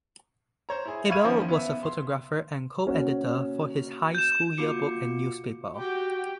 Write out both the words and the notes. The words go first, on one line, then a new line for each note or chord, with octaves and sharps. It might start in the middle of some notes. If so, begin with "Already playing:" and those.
Abell was the photographer and co-editor for his high school yearbook and newspaper.
C5 C#5 A#5
E4 G#4
E5 F5 B5 C#6 G#6 D#7
D#3 F3 A#3 C#4 C5
B3 E5
C6
A#3 C#4 F#4
G6 E7
A#3 F4 F#4 D6 C#7
F#4 G4 G5